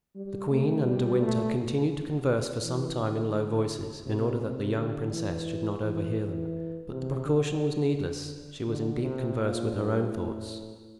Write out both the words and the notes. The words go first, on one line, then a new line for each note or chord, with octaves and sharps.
The queen and De Winter continued to converse for some time in low voices, in order that the young princess should not overhear them; but the precaution was needless: she was in deep converse with her own thoughts.
G3
A3
G3
A3
E3
D3
C3
C3
D3
E3
E3
E3
C3
D3
D3
D3
C3
A#2
G2
A2